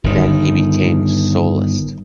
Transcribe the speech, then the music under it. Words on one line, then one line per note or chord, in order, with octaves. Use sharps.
Then he became a soloist.
G1 D#3